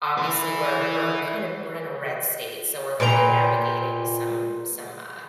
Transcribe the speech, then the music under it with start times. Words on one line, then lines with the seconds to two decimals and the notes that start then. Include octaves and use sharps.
obviously, we're we're, kind of we're in a red state, so we're kinda navigating some some, uh,
0.18 E4 B4
3.00 A#2 B4 G5 A#5